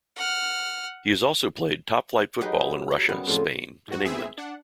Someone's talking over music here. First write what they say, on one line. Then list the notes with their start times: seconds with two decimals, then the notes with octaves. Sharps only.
He has also played top flight football in Russia, Spain and England.
0.16 F#5 F6
2.41 F#3 D#4 G4 G#4 B4
2.91 A#5
3.09 F#2 G3 B3
3.27 F2 A2 C#3 F4
3.88 G#2 F#4
4.05 B3 C4 G#4 E5
4.38 D4 F#5